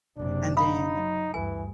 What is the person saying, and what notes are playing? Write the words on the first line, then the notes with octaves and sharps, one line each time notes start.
and then
F#1 C3 D4
D#4 F5 B5 D#6
F#3
D2 G2 E3 G#5